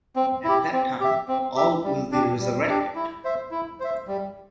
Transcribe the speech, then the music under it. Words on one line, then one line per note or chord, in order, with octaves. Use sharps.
At that time, all will be resurrected.
C4
E4 G4
C4
G4 E5
C4
G4 E5
G3
D4 G4
G3
D4 G4
E4
C5 E5
E4
C5 E5
G3